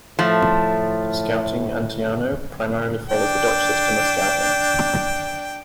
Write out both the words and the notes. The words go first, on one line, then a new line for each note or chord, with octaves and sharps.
"Scouting Antiano" primarily follows the Dutch system of Scouting.
A2 F3 A3
D4 G5